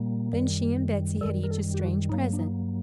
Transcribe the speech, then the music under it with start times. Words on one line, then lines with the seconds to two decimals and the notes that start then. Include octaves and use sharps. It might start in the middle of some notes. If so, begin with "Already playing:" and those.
Then she and Betsey had each a strange present.
Already playing: A#2 G3 A#3
0.33 F#2 D#3 G3
1.21 F#2 D#3 G3 A4
1.44 A#4
1.51 A4
1.74 G4
1.80 F#4
2.09 G2 F#3 A#3 D#4
2.33 D4
2.39 D#4